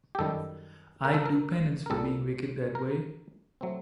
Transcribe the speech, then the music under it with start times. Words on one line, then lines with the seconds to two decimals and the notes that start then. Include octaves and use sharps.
I’d do penance for being wicked that way.
0.15 G4
0.19 F#2 D#3 G3 A4
1.05 A#4
1.14 A4
1.26 A#4
1.86 A#4
1.90 C2 A#2 G3 A4
2.75 A#4
3.61 F#3 A3 C4